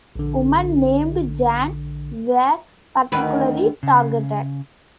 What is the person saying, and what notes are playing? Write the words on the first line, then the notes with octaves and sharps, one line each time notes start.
Women named Jan were particularly targeted.
A#1 D3
D2 D#3 B4
C#3